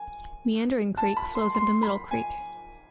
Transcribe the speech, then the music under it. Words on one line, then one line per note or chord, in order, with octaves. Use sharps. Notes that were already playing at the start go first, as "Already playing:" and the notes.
Meandering Creek flows into Middle Creek.
Already playing: G#5
A5
B5
C6
C6
B5
G#5